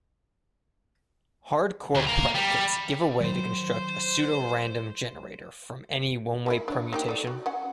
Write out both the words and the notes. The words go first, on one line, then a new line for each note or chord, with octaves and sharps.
Hard-core predicates give a way to construct a pseudorandom generator from any one-way permutation.
D2
F5 A#5
G3
D#3 F#3 C5
G#3 A#3 E4
D4 C#5
A#3 D#4 G4
A4 D5
F#4
C#4 F#5